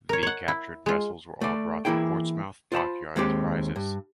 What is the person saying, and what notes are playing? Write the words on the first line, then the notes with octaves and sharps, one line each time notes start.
The captured vessels were all brought to Portsmouth Dockyard as prizes.
A#4 C#5
C#5 F#5
E4
G#3 F4
A3 D5
E3 F3 A#3 E4 G#4 G5
F4 C5 A5 B5
D#2 G#3 C4 G4
G2